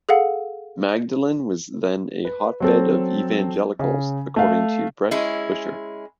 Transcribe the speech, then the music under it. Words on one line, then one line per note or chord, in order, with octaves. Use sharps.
Magdalen was then "a hotbed of evangelicals," according to Brett Usher.
G#4 A4 F5 F#5
B4
F#3 C4 A4
C#3
A3 F5
G#3 C#4 E4